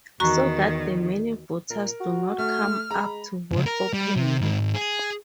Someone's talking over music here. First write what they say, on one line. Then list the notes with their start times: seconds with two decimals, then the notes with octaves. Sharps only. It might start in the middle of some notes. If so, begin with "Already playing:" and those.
So that the many voters do not come up to vote openly.
0.20 E2 D#3 F#4 A#5 C#6
1.70 A#2 A#4
2.00 F#4
2.38 A3 F6
2.91 G#3 A#5 B5
3.52 C#2 G2
3.66 A#4
3.94 G3
4.16 C3
4.41 G#2 D#3
4.75 G#4